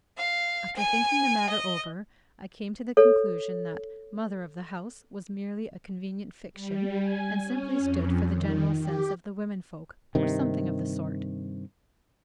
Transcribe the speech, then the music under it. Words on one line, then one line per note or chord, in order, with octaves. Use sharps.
After thinking the matter over, I came to the conclusion that "mother of the house" was merely a convenient fiction, and simply stood for the general sense of the women-folk, or something of the sort.
F5
G#5
D#5
A4 C#5
G3
G#5
C#4
F2
D#3
G4
G2 C3 D#3